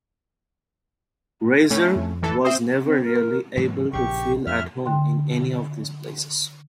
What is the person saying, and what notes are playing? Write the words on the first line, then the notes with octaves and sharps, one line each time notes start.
Reiser was never really able to feel at home in any of these places.
A2 A3 C#4
F2
A1 E3 A4
C4 C5 E5 D#6
C4
A#4
G#2 E3 F#3
A#1 C#3 G4 C#6
F2 E5 F6
D3 G5 C6